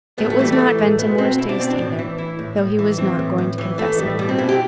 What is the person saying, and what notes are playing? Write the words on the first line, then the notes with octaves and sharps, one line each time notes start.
It was not Ventimore's taste either, though he was not going to confess it.
A2 B3
A3
E3 G3
A3
E3
A2
B2 B3
B2 C4
B2 E4
D4
B2 C4
D4
A2
E3
E3 E4
A2
A2
E3
E3 C4
A2
A2
E3
E3 A3
A2 G3
B2 G3
C4
B2 E4
G4